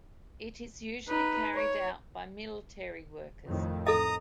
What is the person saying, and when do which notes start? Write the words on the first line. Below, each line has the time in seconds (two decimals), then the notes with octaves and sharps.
It is usually carried out by military workers.
1.08 D#4 B4
1.54 C#5
3.47 F2 A2 D#3
3.87 A4 D#5 A#5 D#6